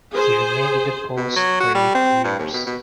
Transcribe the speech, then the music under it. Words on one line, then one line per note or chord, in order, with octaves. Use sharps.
He remained in the post for eight years.
G#4 C5
B2
F#3
F#4
G3
C4
G2
D#2
B2
B2